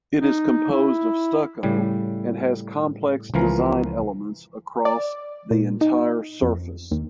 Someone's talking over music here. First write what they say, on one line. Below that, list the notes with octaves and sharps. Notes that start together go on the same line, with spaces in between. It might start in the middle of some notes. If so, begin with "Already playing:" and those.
It is composed of stucco and has complex design elements across the entire surface.
D#4
E4
A2 C#3 G3
C#2 E3 F3 A#4
D5
A#2
D#4
F2
D#2